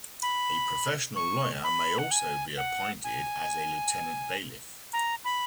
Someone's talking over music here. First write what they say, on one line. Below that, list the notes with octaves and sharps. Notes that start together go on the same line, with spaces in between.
A professional lawyer may also be appointed as a Lieutenant Bailiff.
B5
C#6
B5
F#5
G#5
F#5
G#5
A#5
B5